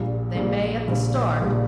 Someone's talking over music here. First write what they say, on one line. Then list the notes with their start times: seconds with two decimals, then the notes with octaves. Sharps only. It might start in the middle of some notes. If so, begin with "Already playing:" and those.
"They may at the start."
Already playing: A#1 A#2 G3
0.35 A#1 A#2 G3
0.88 A#1 A#2 G3
1.41 A#1 A#2 G3